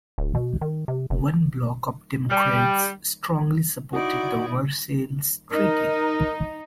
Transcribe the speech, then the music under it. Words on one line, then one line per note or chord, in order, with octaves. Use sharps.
One bloc of Democrats strongly supported the Versailles Treaty.
D1
B2
D#3
C3
F1
G3
D#4 E4 F#4 D5
D#4 A#4